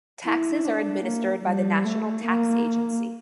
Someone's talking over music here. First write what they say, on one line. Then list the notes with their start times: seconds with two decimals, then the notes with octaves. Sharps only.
Taxes are administered by the National Tax Agency.
0.24 E4
0.64 D4
1.04 A#3
1.44 G3
1.84 A3
2.24 A#3